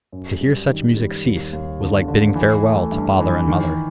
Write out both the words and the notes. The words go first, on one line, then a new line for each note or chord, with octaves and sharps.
To hear such music cease was like bidding farewell to father and mother.
F#2
G3
D#3
G3
D#2
D#2
D3
D3
E3
A3
G2
E3
D#3